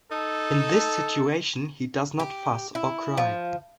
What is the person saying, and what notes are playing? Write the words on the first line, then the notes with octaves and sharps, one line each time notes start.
In this situation he does not "fuss" or cry.
D#4 A4
G4
E4
F3